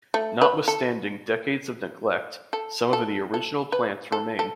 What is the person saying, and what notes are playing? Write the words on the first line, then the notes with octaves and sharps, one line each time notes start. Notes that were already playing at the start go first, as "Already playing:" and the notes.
Notwithstanding decades of neglect, some of the original plants remain.
A3
B4
A4
A4
A4
A4
B4
A4
A4